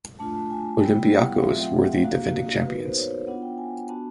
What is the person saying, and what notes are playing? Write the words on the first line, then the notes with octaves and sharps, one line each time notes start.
Olympiacos were the defending champions.
A3 D4 F4 A5
A5
G#5
G3 B3 E4 G5
F#5
G5
F5
F#3 A3 C4 F4 E5
E5
G5
F#5
A#3 D4 F#4 F5
B3 D#4 F#4 B4
A#4
C5
C#5
B3 D4 F4 F#5
G5
G#5
B3 D4 F#4 A5